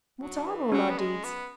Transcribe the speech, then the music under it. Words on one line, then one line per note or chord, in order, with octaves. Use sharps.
What are all our deeds?
F#3
E3
F#3 C#4
B3
G#3
B3